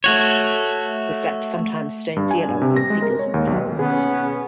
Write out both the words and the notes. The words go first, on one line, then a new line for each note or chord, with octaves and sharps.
The sap sometimes stains yellow on fingers and clothes.
A3 F#4 C#5
G2
G#5
G2
C3
A#6
G#3
A#4
C#5
D#2
B1
B2 B3 C#4 G#4